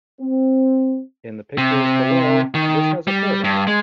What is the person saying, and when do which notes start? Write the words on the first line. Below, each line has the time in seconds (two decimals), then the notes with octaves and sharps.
In the pictures below this has occurred.
0.20 C4
1.58 C3
2.55 D#3
3.08 G3
3.44 G2
3.67 G#3